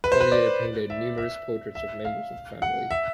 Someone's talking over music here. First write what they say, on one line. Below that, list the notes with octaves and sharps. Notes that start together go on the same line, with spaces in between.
Collier painted numerous portraits of members of the family.
B4
C5
B4
D5
E5
E5
E5
F5
F#5
E5